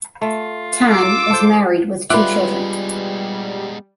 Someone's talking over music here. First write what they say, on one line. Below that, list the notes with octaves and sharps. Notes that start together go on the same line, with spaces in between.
Tan is married with two children.
A3 F4
D6 E6
A4 C5
G3 G#3 B3 F4 B4 E5 D6 F#6